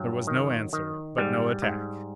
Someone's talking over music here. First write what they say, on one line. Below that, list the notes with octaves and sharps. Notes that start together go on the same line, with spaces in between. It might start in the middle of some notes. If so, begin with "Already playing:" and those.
There was no answer, but no attack.
Already playing: G2 F#3
D#3
D#3
G#2 G3
G#2